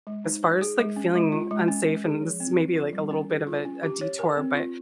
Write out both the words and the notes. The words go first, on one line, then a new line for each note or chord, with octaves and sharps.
as far as, like, feeling unsafe, and this is maybe, like, a little bit of a a detour, but,
G#3
D#4
C5
G#4
G#3
C#4
G#3
F4
G#3
C#4
G#3
G#4
F3
C4
F3
F4
G3
C#4
G#4
F4
C#4
G4
C#5
A#4
C4
F4